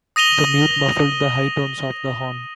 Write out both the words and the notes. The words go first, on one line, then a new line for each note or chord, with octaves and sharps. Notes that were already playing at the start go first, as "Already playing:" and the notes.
The mute muffled the high tones of the horn.
D#6 A#6 D#7 F7 G7